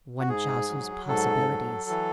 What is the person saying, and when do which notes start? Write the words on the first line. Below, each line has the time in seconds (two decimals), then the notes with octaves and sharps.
One jostles possibilities.
0.20 F#4
0.28 G#2 G#4
0.68 F#3
1.08 G#2 A4
1.49 F#3
1.90 E3